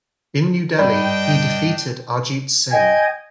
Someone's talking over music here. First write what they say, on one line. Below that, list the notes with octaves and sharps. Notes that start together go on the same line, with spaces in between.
In New Delhi he defeated Arjit Singh.
G2 D4 D5 D#5 G5 B5
D#5 G5 G#5 G#6